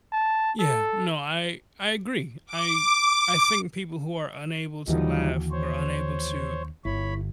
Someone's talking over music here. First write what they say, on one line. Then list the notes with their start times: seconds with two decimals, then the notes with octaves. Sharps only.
Yeah. No. I I agree. I I think people who are unable to laugh or unable to
0.12 A5
0.59 A4
2.46 D6
4.88 D#2 D3 E3 F3 G3 D#4 F#4
5.52 C5 C#5
6.85 G1 E4 C#5 B5